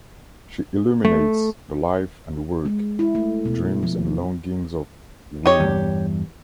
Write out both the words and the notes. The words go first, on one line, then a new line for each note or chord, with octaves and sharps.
She illuminates the life and work, dreams and longings of women.
A3
G#3
E4
A3
B2
F3
D#4 G4 C#5
E2 G2